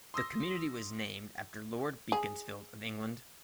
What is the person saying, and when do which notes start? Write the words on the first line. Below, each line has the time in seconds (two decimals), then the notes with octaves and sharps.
The community was named after Lord Beaconsfield of England.
0.14 C6 D#6 E6 A#6
2.12 G#4